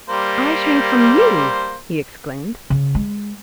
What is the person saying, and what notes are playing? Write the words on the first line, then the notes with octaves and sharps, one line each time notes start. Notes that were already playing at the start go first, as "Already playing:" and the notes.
"I shrink from YOU!" he exclaimed.
G3 A#3 C5
C#3
G#3